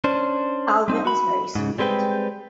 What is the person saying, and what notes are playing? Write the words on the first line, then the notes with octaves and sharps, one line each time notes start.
Alvyn is very sweet.
C#4 D4 C5
G3 C4 D#4
F#4 B5
G#2 C#3
G3 G#3 C4 B4 G5